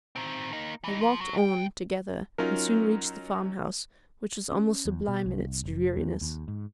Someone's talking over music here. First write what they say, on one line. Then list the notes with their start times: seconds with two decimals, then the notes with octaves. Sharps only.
They walked on together and soon reached the farmhouse, which was almost sublime in its dreariness.
0.16 D#3 C4
0.53 A#3 D#4
0.84 E3 D#4
1.01 F3
1.21 F#3
1.34 B1 G5
2.38 F#3 C#4 D#4 F4 A#4
4.52 C#4
4.85 E2
5.08 B2
5.26 C2
5.64 F1
5.97 E2
6.21 D#2
6.48 G#2